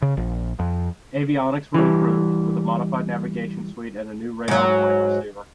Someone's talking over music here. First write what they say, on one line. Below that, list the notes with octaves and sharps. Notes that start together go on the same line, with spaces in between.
Avionics were improved, with a modified navigation suite and a new radar-warning receiver.
C#3
A#1
F2
E3 G3
G#2 F#3